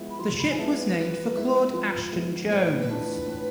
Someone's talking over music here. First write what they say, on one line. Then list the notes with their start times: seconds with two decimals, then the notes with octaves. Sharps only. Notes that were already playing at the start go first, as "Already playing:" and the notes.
The ship was named for Claud Ashton Jones.
Already playing: F3 G#3 B3 E4
0.10 B5
0.19 F3 C6
0.38 B5
0.49 G#5
0.57 G#3 B3 E4 A5
0.77 B4
0.96 F3
1.35 G#3 B3 E4
1.73 F3
2.12 G#3 B3 E4
2.50 A2 C5
2.61 B4
2.80 B4
2.89 E3 A3 D4 F4
3.27 A2